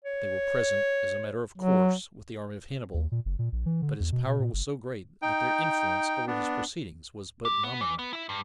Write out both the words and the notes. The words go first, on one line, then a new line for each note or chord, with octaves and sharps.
They were present, as a matter of course, with the army of Hannibal, but his power was so great that their influence over his proceedings was but nominal.
C#5
F#3
D#2
A#2
F#1
A#2
A#1
E3
D3
E2
B2
B2
A#2
F#1
D#4 G5
B3 D4
G4
B3
E3
B3
E4 E5
G2